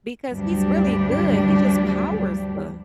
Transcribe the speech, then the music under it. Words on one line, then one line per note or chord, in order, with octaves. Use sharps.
because he's really good. He just powers the
D2 G2 F#3 G3 D4 G4